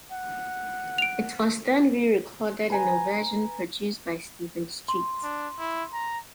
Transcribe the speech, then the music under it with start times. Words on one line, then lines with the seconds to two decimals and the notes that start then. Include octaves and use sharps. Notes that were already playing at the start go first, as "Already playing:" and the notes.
It was then re-recorded in a version produced by Stephen Street.
0.12 F#5
0.98 D7 F7
2.70 B4 G#5 A#5
4.88 C6
5.23 D4
5.59 E4
5.93 A#5